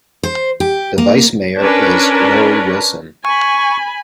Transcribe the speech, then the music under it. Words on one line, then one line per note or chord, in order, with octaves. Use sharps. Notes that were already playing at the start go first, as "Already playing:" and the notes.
The Vice Mayor is Lori Wilson.
C5
G4
A#3
C#4 D4 A#4 B4
G#5 B5 C#6